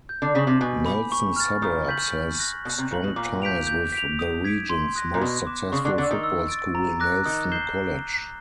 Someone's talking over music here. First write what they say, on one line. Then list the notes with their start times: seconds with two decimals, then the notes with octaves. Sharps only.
Nelson Suburbs has strong ties with the region's most successful football school Nelson College.
0.09 G6
0.22 D3
0.35 C#3 B6 D#7 F#7
0.47 C3
0.61 B2 G#5
0.86 B5 D6
1.12 C#6
1.36 F6 A6
1.62 A#2 D#6
1.88 G6 B6 D#7 F#7
2.14 D#6
2.39 F#6 A#6
2.64 B2 F#6
2.78 C3
2.90 A#2 A#6 C#7 F#7
3.04 B2
3.16 A#2 D6
3.42 G6 B6 D7 F7
3.67 G6
3.92 B6 D7 F7
4.19 D#6
4.44 G#6 B6 D7
4.70 C6
4.96 D#6 F#6 A#6 D#7
5.14 A#2
5.20 B2 B5
5.47 D6 F#6 B6 E7
5.72 C#3 C#6
5.85 D3
5.98 D3 A6
6.02 E6
6.11 D#3
6.23 E6
6.49 A6 D7
6.75 A#5
7.00 D6 F#6 A#6
7.26 D#3 D#6
7.52 G6 C7 E7 G7